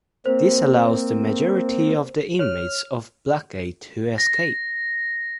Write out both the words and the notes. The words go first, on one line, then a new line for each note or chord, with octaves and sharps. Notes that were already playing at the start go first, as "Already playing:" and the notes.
This allows the majority of the inmates of Blackgate to escape.
A#3 C4 C5
C#5 F6
A#6